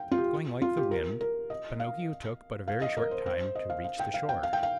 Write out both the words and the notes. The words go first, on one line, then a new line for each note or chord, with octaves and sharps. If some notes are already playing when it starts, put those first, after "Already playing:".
Going like the wind, Pinocchio took but a very short time to reach the shore.
Already playing: F5 G5
F4
G4
F4
G4
A#4
A#4
D#5
F5
F5
D#5
A#4
C5
C5
D#5
F5
F5
G5
F5
G5
F5
G5
F5